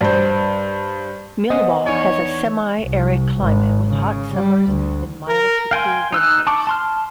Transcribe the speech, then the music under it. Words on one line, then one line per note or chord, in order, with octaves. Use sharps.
Mullewa has a semi-arid climate with hot summers and mild to cool winters.
G2 C5
B3 C5 D#5 F#5 G#5
E2 D#4 C#5 D5 G#5
C2
G#1
C#3
G3
D2
A#4
F5 G5 G#5 C6
D#4 E6 F#6
A5 C#6 D6
A5 C6 F6